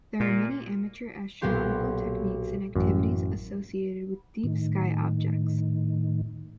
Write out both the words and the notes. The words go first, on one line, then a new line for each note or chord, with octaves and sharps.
There are many amateur astronomical techniques and activities associated with deep-sky objects.
A#2
B1 A#2 F#3 B3 G4 C6
A1 F#2
A2 D#3